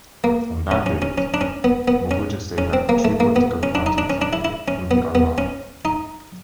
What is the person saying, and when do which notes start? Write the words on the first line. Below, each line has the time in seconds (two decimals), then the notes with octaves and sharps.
On that date, Mobutu said that three political parties would be allowed.
0.24 A#3
0.71 C#4
0.86 C#4
1.02 C#4
1.18 C#4
1.34 D4
1.41 C#4
1.64 B3
1.88 B3
2.11 C#4
2.58 C#4
2.73 C4
2.89 A#3
3.05 A3
3.20 A#3
3.36 B3
3.63 C#4
3.75 D4
3.86 D#4
3.98 D4
4.10 C#4
4.22 D4
4.33 E4
4.45 E4
4.68 C#4
4.91 B3
5.15 B3
5.38 C#4
5.85 D#4